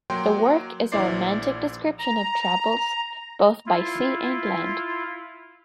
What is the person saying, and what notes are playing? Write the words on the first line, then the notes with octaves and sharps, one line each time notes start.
The work is a romantic description of travels, both by sea and land.
F#3 A#3 G5 C6
A#1 E3 E4 C5 D5 C7
A#5
E4 F4